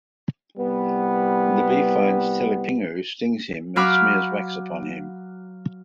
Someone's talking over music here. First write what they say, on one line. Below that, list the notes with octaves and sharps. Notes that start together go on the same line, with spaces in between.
The bee finds Telipinu, stings him and smears wax upon him.
C2 G3 B3
F#3 F#4 F5 B5 D6 F6